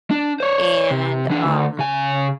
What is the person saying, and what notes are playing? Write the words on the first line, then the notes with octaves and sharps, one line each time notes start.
and, um,
D4
C5 C#5
C3
E3 D4
D2
C#3 G#5